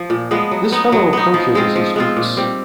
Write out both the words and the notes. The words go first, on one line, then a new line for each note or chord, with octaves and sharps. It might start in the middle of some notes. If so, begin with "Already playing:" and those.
This fellow approaches as he speaks.
Already playing: F3
A#2
F3 G#3 B3
F#3
B3 D#4
F#3
B3 D#4
F3
G#3 C4 F4
F3
G#3 C4 F4
A#2
G3 C4